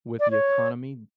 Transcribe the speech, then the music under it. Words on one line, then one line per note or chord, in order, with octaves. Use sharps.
with the economy
D5
C#5